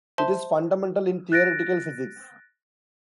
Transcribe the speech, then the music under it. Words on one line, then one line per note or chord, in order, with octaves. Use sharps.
It is fundamental in theoretical physics.
C5 E5 A5 C6
F#6 A6 A#6 D7